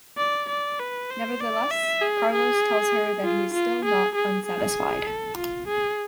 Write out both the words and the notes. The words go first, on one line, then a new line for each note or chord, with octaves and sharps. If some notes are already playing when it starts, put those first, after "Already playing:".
Nevertheless, Carlos tells her that he still is not unsatisfied.
D5
D5
B4
C5
D5
E5
G#4
G#4
F4
F4
G#4
G#4
G#4
A4
F4
G#4